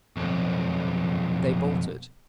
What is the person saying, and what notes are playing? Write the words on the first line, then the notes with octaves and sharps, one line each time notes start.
They bolted.
B1 F2